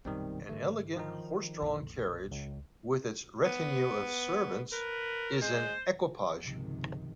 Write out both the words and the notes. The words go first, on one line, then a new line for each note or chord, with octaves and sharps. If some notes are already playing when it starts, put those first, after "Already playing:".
An elegant horse-drawn carriage with its retinue of servants is an "equipage".
A#1 F#2 B2 D#3 G3 C4
G#2 D3 E3 A3
D#3 F3 D#4
B1 F2 A#2
C#2
B3
A#4 B4
G#3 C5
C#2 G#2 C3 D#3 F3